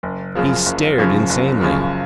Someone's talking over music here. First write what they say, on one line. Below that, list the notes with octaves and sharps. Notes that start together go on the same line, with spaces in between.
He stared insanely.
F#1
F#2 C#3 F3
F#1
F#2 C#3 F3
F#1
F#2 C#3 F3